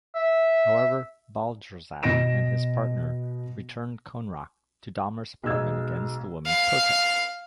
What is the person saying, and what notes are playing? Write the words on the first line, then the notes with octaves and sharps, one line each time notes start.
However, Balcerzak and his partner returned Konerak to Dahmer's apartment, against the women's protests.
E5
B2 D#5 A#6 D7 E7
B1 G#3 D#5 E6 G#6
F5